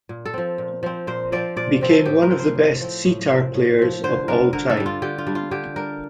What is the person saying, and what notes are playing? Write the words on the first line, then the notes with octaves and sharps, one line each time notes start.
He became one of the best setar players of all time.
A#2
A4
F3 C4
A#2
F3 C4
A#2 C5
F3 C4 D5
A#2 D5
F3 C4
A4
A2 G4
A#4
F3 C4
C5
A2
F3 C4
A2
F3 C4
A2
F3 C4
D3 C5
G3 D4 A#4
D3 A#4
A4
G3 D4
F4
D3 G4
F4
G3 D4
F4
D3 G4
G3 D4 A#4